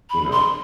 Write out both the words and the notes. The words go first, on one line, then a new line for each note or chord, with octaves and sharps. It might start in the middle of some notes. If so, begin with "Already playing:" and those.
you know,
B5
C6